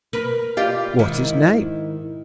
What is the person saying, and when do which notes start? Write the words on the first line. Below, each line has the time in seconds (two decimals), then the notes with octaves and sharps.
"What's his name!"
0.13 A#4 B4
0.57 F4 G4 D5
0.99 G#2 D#3 E4